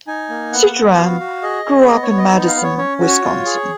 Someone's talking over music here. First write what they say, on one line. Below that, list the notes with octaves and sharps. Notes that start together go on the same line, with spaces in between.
Sidran grew up in Madison, Wisconsin.
D#4 G#5
A#3
B3 F#5
B3
F#4 F5
F#4
G#4 D#5
G#4
C#5
B3 D#5
C#5
B3
D#5
D#4
F5
B3
C#5
C#4 C#5
F#4
C#5
F4
G#4